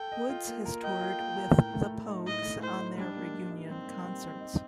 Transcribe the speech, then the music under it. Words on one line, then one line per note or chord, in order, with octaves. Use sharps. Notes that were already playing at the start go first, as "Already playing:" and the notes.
Woods has toured with The Pogues on their reunion concerts.
Already playing: A4 G5
D#5
F4
A#3
A#4
D#5 G5
F4
A#3
A#4
A2
A3
A2
D#4
A2 D#5
A3
A2 C5
D#4
G3 D4
A#3
G3
D#4
G3 C4
A#3
G3
D#4
D#5